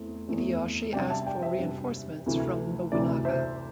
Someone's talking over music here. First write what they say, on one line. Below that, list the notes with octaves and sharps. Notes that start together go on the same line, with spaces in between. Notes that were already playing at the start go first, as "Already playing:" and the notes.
Hideyoshi asked for reinforcements from Nobunaga.
Already playing: E2 E3 A3 C4
E2 E3 A3 C4
C3 G3 D4 D5 G5
E5 A5
D5 G5
C5 E5
C3 G3 D4
D2 C3 E3 A3
D2 C3 E3 A3 D5
C5 E5